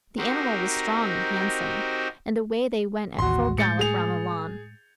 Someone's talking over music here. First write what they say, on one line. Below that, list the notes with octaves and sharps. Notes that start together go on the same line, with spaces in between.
The animal was strong and handsome, and away they went at full gallop round the lawn.
C4 D#4 F#4 G4 A#4 C5
A1 D#2 F#4 C6
A2 G#3 G6 A6 C#7
G#4 F7